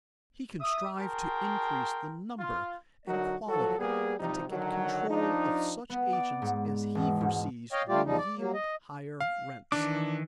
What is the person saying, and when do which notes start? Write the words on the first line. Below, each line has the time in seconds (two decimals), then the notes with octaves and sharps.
He can strive to increase the number and quality and to get control of such agents as he foresees will yield higher rents.
0.60 E5 D#6
0.98 F#4 G#4 A#4 G5 A5 C6
2.39 F4
3.08 D3 F#3 D#4 F#4 A#4
3.48 F3 F#3 F#4 A4
3.79 G3 A#3 B3 G#4
4.19 C3 F3 G3 D#4
4.49 D3 D#3 F#3
5.09 F3 D4 D#4
5.90 B3
6.12 D5
6.42 G#2
6.95 E1
7.21 G#2
7.72 C#5 D#5 F5 G5
7.88 G3 A3 F4 G4 D5
8.05 E2 F3 G3 D#4
8.18 D5
8.37 F#3 A#3
8.54 D#5
9.20 F5
9.72 D#3 E3 D4 D6